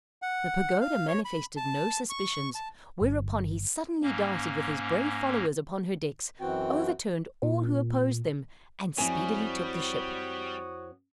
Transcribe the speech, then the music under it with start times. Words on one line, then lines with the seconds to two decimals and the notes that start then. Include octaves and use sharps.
The Pagoda manifested no suspicions, whereupon he suddenly darted with his brave followers upon her decks, overturned all who opposed them, and speedily took the ship.
0.22 F#5
0.81 F5
1.08 C#5
1.25 B5
1.57 A5
2.10 C#6
2.55 A5
3.02 G1
4.02 G#2 A#3 C#4
6.41 F#2 E3 C4 F#4 G5
7.43 A#2
8.98 F2 G3 C4 E4 F#4 C#5 G#5 D#6